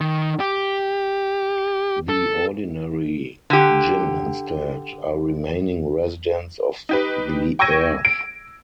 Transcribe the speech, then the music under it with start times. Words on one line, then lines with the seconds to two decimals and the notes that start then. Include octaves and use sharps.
The ordinary Jinn instead, are remaining residents of the earth.
0.01 D#3
0.40 G4
2.09 A4
3.50 D3 G4
6.89 D#4 G4 B4
7.59 G5 C#6 E6 G#6 A#6 D#7
8.05 D7